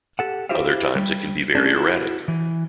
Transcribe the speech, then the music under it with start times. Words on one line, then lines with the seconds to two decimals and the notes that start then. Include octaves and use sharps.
Other times it can be very erratic.
0.19 G4 A4 F#5
0.49 E4 F#4 G4 C5 E5 F5
0.96 G3
1.55 A3 C#4 D4
1.76 E4 F#4
2.28 E3